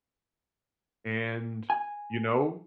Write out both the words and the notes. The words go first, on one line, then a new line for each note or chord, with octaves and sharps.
and, you know
G#5